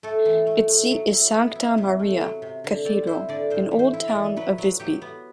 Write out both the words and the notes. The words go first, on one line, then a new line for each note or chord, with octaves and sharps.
Its seat is Sankta Maria cathedral in old town of Visby.
A3 A4
E3
A3
A3
F#3
E4
B3
E4
C3
A3
F#3
C3
D3
C4 D5
E4 C5
D3 D5
A2 C5
E3
C5
E4
D5
E3
F#3 B4
F#3
F#3 G4
B3